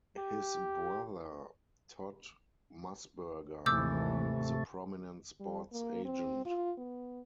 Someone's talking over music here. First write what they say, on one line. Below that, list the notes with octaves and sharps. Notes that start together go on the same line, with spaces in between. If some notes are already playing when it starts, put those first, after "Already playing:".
His brother, Todd Musburger, is a prominent sports agent.
G4
G#1 D#2 C3 E3 A3 D6 E6 G6
G3
A#3
C4
F4
B3